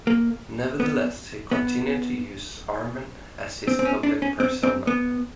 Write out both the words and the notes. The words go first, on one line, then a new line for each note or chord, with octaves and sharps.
Nevertheless, he continued to use "Arman" as his public persona.
A#3
B3
B3
C4
C4
C#4
D4
C#4
C4
C4
B3